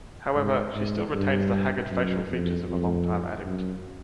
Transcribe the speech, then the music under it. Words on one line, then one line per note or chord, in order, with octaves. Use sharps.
However, she still retains the haggard facial features of a long-time addict.
G#2
G#2
G2
F#2
F2
F2
F#2